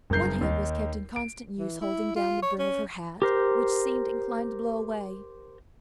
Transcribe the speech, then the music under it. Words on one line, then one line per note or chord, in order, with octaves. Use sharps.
One hand was kept in constant use holding down the brim of her hat which seemed inclined to blow away.
F#1 G2 A#4 G6 C7
D#2 D#4
D7
E3
E4
F4
C#5
C#4
G4 A#4 C5